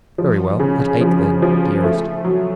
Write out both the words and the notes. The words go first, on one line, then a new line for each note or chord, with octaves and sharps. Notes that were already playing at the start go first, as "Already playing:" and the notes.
"Very well, at eight then, dearest."
F3
C#3
F3
F3
A3
F#3